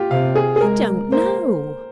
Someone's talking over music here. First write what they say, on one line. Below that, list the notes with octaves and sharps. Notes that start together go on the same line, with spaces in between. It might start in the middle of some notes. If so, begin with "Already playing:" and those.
"I don't know."
Already playing: F4 G4
C3 F5
G#4
G#4
G#3 A#4
A#3 C5